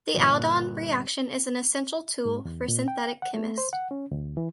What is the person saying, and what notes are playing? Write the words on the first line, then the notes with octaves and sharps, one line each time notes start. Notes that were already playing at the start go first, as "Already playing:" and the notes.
The aldol reaction is an essential tool for synthetic chemists.
G1 A#2 E3 F#3
A#2 F#6
G#2
E2
A#2
G5
F#5
A3
C5
F#5
C#4
D2
E3